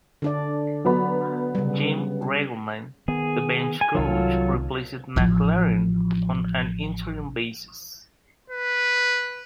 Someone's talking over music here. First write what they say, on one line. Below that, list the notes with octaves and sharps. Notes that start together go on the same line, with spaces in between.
Jim Riggleman, the bench coach, replaced McLaren on an interim basis.
D3 D4 D5
F#3 B3 B5
C#3 G3
D#3 B3 G#4
G#5
C2 D#3 F#3 F4 A4
A1 F3
B4